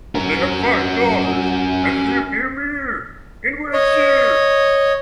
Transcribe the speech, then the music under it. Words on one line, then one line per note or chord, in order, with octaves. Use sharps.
They have five daughters and live near Mere in Wiltshire.
C#4 A#4
C#5 D#5